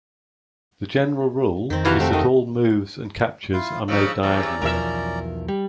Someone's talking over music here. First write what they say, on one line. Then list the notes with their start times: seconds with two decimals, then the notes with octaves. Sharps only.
The general rule is that all moves and captures are made diagonally.
1.70 F2 D#3 C4
1.85 C3 E3 F#4 F5
2.00 A3 C4
2.13 D#3 D#5
3.53 E4 F4 F5
3.88 C#3 F3 D#4 E6
4.23 E2 C3 C#4 D5 A#5
4.62 B1 E2 F3 A#4 E5
5.48 G3